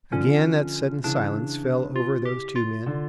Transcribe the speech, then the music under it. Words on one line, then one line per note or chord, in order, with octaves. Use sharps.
Again that sudden silence fell over those two men.
D3 F3 C#4
C#3 E3 D4
F4
G4
F4
D3